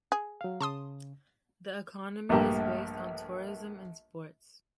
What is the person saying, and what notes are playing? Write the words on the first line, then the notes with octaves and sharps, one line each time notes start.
The economy is based on tourism and sports.
G#4
F#3 F5
C#3 A5 C6 D#6
A#1 G2 A3 A#3 G4 A#5